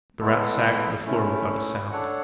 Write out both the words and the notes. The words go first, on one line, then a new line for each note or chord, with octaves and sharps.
The Rat sagged to the floor without a sound.
G#3 B3 E4 A4
A3 C#4 E4
D4 A4 C#5 F#5